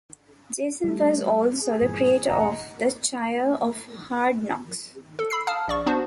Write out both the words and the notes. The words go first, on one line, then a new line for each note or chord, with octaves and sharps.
Jason was also the creator of The Choir of Hard Knocks.
G3 A3
G#4
G2 A#2 E3
E1 A1 D#5 F#5 A#5
A4
B5 E6 C7
F5 A5 D#6 F6
A#1 D5 C#6
B3 D4 F#4 C5 A5